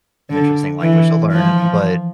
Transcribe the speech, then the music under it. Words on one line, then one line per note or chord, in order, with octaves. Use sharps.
an interesting language to learn, but,
D3
E3
F3